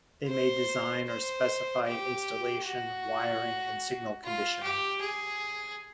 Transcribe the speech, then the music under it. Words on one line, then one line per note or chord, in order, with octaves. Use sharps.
They may design or specify installation, wiring and signal conditioning.
C5
C5
G4
F#4
F4
G4
G#4